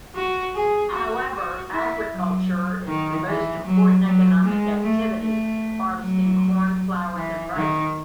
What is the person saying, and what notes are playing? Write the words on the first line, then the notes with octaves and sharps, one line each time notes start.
However, agriculture is the most important economic activity, harvesting corn, flowers and rice.
F#4
G#4
F#4
F#4
E4
F#3
D#3
E3
F#3
F#3
G#3
A3
A3
F#3
E3
D#3